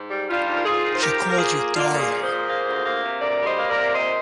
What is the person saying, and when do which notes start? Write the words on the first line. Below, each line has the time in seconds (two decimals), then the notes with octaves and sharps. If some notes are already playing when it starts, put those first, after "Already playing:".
She called you 'darling'.
Already playing: G#2
0.10 G3
0.29 G3 D4 F4
0.47 G#2
0.55 A#4
0.65 G#2 F4 G#4
0.83 D#3
0.95 C5
1.01 F3 G4 A#4
1.20 F3
1.30 A#4
1.38 A#3 F4 G#4
1.56 A#3
1.74 A#3 D4 F4
1.93 A#2
1.99 F4 G#4
2.11 F3
2.23 G#4 C5
2.30 A#2
2.48 A#3
2.66 D2
2.84 A#3
3.03 C3
3.20 D2 A#4 D5
3.39 G3
3.45 C5 D#5
3.57 A#3
3.69 A#4 D5
3.76 C3
3.94 A#2 C5 D#5